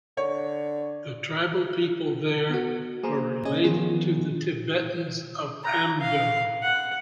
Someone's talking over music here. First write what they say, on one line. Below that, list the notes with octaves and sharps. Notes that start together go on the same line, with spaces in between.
The tribal peoples there were related to the Tibetans of Amdo.
D3 C#5
B3 F#4
A#3 G#4 C5 A#5
C#4 G#4 D#5
D#3 F3 B3 G#4
A#5
F5
F#5